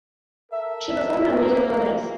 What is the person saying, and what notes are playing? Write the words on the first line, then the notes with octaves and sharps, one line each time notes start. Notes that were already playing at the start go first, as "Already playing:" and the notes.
She performed on radio programs.
A4 A#4 E5
A#3